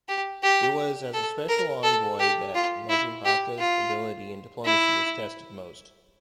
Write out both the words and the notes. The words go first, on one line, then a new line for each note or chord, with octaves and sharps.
It was as a Special Envoy that Mazimhaka's ability in diplomacy was tested most.
G4
G4
A4
A#4
A4
G4
F4
E4
G4
F4
E4